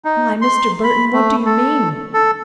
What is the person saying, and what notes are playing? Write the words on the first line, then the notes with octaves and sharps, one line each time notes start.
Why, Mr. Burton, what do you mean?
D#4
C6
B5
A3
A4
A4